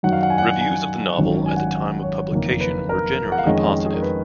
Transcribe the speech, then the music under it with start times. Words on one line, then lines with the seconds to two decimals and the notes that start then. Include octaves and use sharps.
Reviews of the novel at the time of publication were generally positive.
0.03 F#2 D#3 F#3 F#5
0.13 F5
0.23 F#5
0.30 G#5
0.38 F#5
0.61 G#5
1.18 G#1 F#2 D#3 F#3 C#4
1.46 G#5
1.56 F#5
1.67 F5
1.77 F#5
2.03 C#5
2.31 F#1 F2 D#3 A#3
2.61 B4
2.89 A#4
3.32 F#5
3.38 F5
3.46 F2 D#3 G#3 C#4 D#5
3.86 G#4
3.94 A#4
4.02 B4